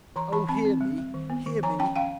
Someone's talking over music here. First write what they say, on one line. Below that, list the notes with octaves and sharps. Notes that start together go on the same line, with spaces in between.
Oh, hear me! hear me!
E3 A#5 C6
E3 A5 B5
C4 A5 B5
C4
G3
G3
D#3
B3
D#3
F3 G#5 A#5
C#4 G5 A5
C#4 F5 G5